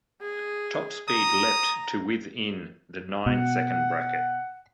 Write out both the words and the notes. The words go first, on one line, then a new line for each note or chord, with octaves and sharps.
Top speed leapt to with in the nine second bracket.
G#4
A#5 D#6
B2 F#5